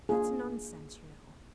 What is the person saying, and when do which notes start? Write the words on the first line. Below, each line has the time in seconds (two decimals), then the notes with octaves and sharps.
"That's nonsense, you know."
0.09 A#3 D4 F4 G#4